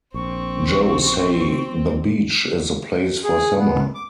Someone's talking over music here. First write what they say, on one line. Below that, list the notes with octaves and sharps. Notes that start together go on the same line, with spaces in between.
Joe say The beach is the place for summer.
A#1 C4 C#6
G#4
B3
D6